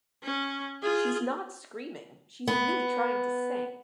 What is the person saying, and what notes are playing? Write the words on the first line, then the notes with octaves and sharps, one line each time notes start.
She's not screaming, she's really trying to sing.
C#4
F4 G#4
B3